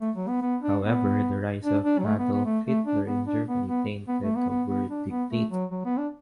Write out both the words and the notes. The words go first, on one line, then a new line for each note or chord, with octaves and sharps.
However the rise of Adolf Hitler in Germany tainted the word 'dictator'.
A3
F#3
B3
B3
D4
B3
D4
D4
F#3
A3
B3
B3
A3
A3
D4
B3
D4
B3
B3
B3
A3
B3
B3
B3
D4
B3
A3
F#3
F#3
B3
D4